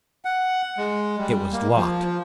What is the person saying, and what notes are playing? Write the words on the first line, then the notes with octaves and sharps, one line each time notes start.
It was locked.
F#5
G#3
G3
A#3
F3
F3